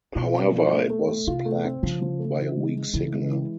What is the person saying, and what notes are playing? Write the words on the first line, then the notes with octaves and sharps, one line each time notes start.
However, it was plagued by a weak signal.
B2 F4
C4
F3
A3
A3
A3
C3 F4
A3
C4
C#3 F3
F3
A3
E3
G#3
G#3
C#3 E3
G#3
E3